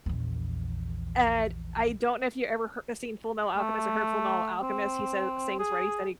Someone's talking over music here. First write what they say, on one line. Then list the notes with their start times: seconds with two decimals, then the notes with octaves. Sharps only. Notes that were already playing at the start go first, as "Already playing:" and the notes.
And I don't know if you ever h seen Fullmetal Alchemist or heard Fullmetal Alchemist. He says sings Ready Steady
0.06 A#1 E2
3.57 A3
4.63 C4
5.59 G#4